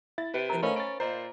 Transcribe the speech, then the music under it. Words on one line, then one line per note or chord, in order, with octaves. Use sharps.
in the end.
E4 E5 A6
C3 B4
D#4 A#4 A#5
A3 C#4 A#4 C5 D#5 F5 B5
C#4 A6 D7
A#2 C5 D#5 A#5